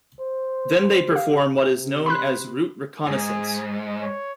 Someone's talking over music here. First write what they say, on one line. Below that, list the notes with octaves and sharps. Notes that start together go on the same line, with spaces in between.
Then they perform what is known as route reconnaissance.
C5
G4 F5
C3
B5 C6 F#6
E2 G#2 G#4
C#5